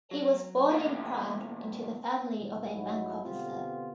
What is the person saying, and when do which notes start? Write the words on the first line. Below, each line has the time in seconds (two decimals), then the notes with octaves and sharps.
He was born in Prague into the family of a bank officer.
0.11 F#3
0.70 D#2 B2 E3 A3 B3 F5
2.38 E2 B2
2.71 A1 G#2 F#3 D#4 E4 F#4
3.22 B2 D3 B3 C4 F4 G4